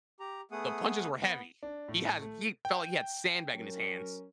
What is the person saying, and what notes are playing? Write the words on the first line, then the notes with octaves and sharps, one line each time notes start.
the punches were heavy. He had he felt like he had sandbag in his hands.
G4 A#5
A3 B3 G#4 F#5 D#6
B3
D4
A2
A3
G5
F#3 C#4 A#4